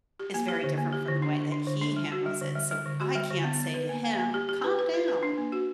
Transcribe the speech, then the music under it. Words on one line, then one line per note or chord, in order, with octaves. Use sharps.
is very different from the way that he handles it. So I can't say to him, "Calm down."
G4
A#3
G4
D3
A#3
G4
D3
D4
D3
D4
D3
D4
G3
F#4
G3
D3
G3
G3
D3
F#4
G3
D3
B3
B3
B4
A#3
A#3
A#3
G4
G4
B4
B4
B4
B4
D4
A#3
F#4